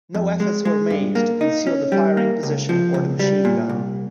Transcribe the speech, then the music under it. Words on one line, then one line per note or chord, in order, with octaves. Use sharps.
No efforts were made to conceal the firing position or the machine gun.
F2
G#3
G#3
G2
A#3
D#4
C#4
G3
A#3
C#2
F3
C#2
G3
A#2
C2